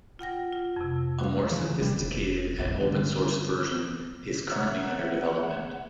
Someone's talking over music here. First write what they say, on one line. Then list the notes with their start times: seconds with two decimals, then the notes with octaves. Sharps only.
A more sophisticated and open-source version is currently under development.
0.19 F4 F#5 G5 A#6
0.52 F4
0.76 F2 C3
1.19 F#4 F5
1.51 C#3 E3 F3
1.80 D1 G3
1.96 F1
2.58 A1 F2
2.79 G2 D3
4.51 C#5 E5 F#5 A#5